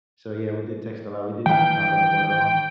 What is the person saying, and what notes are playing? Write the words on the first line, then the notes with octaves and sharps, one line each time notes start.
So yeah, we did text a lot, we didn't talk on the phone at all.
D#3 E3 G5